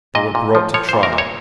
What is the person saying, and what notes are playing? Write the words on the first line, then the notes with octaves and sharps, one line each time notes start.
They were brought to trial.
A#2 D#5
A#2
F3
F3 C#5
A#2 C5
A#4
A#2
C#5